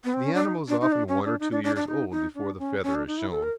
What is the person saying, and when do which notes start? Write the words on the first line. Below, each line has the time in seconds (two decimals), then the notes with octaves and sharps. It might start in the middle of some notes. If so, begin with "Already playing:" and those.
The animal is often one or two years old before the feather is shown.
0.04 B3
0.14 C4
0.25 C#4
0.34 D4
0.45 D#4
0.68 D4
0.81 D#4
0.92 D4
1.08 C#4
1.25 D4
1.40 D#4
1.52 D4
1.64 D4
1.76 D4
1.88 D#4
2.11 D#4
2.35 D4
2.59 C#4
2.83 C#4
2.95 D4
3.07 D#4
3.18 E4
3.31 A4
3.43 A#4